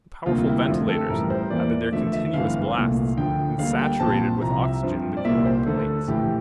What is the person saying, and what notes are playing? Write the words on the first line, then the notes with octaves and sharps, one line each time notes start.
The powerful ventilators added their continuous blasts and saturated with oxygen the glowing plates.
D2 C3 G3 A#3 F4
F4
E4
F2 D3 A3 C4 F4
A4
A1 A2 G3 A#4
C5
E2 E3 A#3 D5
E2 D3 F3 A3 E5
E5
G1 G2 E3 A3 C4 F5
C2 A#2 A3
D2 D3 F3 G5
D2 D3 G3 A#3 F5
G5
A#1 A#2 F3 C4 A5
C2 C3 F3 A#5
E5
G2 F3 C4
D5
C2 A#2 G3 A#3 E5
C5
D2 D3 A3 A4
A#1 A2 E3 G4